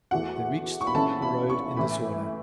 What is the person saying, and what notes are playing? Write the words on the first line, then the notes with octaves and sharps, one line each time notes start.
They reached the road in this order.
E2 E3 A3 F#4 F#5
C#6
B5
E3 C#4 E4 A4 E5 A5
B5
C#6
A2 E3 B5